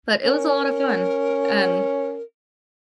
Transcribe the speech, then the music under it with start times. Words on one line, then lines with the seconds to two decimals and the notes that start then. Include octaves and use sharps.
But it was a lot of fun. And
0.24 C#4 A#4